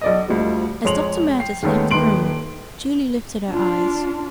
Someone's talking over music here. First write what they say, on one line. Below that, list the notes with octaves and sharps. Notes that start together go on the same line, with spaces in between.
As Dr. Meredith left the room, Julie lifted her eyes.
B1 D5 D#5
D2 F3 G3
F2 G#3 C#5 C6 F7 F#7
G5 C7
D#2 D#3 G#3 A3 B3 C#4
D#1 D#3 B4 C6 D7 F#7
D4 F4